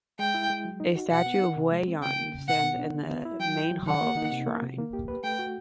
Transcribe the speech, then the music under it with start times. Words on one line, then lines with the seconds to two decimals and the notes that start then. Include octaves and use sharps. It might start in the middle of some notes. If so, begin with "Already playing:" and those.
A statue of Wei Yan stands in the main hall of the shrine.
0.19 G#3 G5
0.34 E4
0.50 G#3
0.65 F#3
0.80 D#4
0.95 F#4
1.10 B2 F#5
1.26 B3
1.41 D#4
1.57 C3
1.72 G#3
1.87 C4
2.03 C#3 G5
2.18 A#3
2.33 C#3
2.48 B2 F#5
2.64 B3
2.79 D4
2.94 D3
3.09 B3
3.25 E4
3.40 F#3 G5
3.55 E4
3.71 F#3
3.86 D#3 F#5
4.02 A#3
4.17 D#4
4.32 C3
4.47 A#3
4.62 C3
4.78 A#3
4.93 G4
5.08 B4
5.24 A3 G5
5.39 F#4